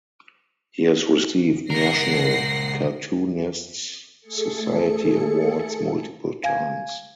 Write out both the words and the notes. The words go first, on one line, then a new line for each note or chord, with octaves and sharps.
He has received National Cartoonists Society awards multiple times.
C#2 A#4 F#5 A#6 C7
A3 G#4 A4 C#7
F5 G#5 G#6